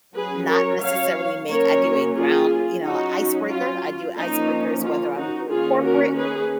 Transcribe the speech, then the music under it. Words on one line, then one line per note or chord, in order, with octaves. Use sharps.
not necessarily make I do a ground you know, icebreaker, I do icebreakers whether I'm doing corporate
F#3 C#4 G#4 B4
A#4 C#5
C#5 F5
F#3 A#3 C#4 A#4 C#5
F4 G#4
F#3 C#4 D#4 F#4
F4
F3 A#3 C#4 D#4
F4
D#4 F#4
D#3 A#3 C#4 F4 G#4
F#4 A#4
G#4 B4